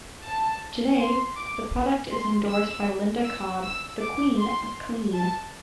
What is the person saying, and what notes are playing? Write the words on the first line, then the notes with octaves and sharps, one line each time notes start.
Today, the product is endorsed by Linda Cobb, the Queen of Clean.
A5
C6
D6
C6
E6
E6
E6
D6
C6
A5